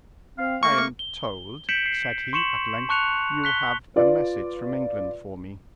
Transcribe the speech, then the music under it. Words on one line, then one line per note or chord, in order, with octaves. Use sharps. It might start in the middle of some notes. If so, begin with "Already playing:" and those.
"I am told," said he, at length, "you have a message from England for me."
C4 F5
A3 A#3 C#6
G7
G6 B6 C#7 D7 E7 F#7
C7
C6 C#6 C#7 E7 F#7
A5 C#6 F#6 C#7 F7
F#6 B6 G7
F4 B4 D5